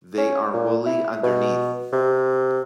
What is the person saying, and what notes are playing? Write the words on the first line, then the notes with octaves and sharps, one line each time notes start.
They are woolly underneath.
C#4
A#2
E4
B2
C3